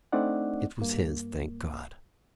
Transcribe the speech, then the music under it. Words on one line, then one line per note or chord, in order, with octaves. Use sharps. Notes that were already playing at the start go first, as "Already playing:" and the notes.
It was his, thank God!
A3 C4 D4 D#4 D5 F#5
G2 A#3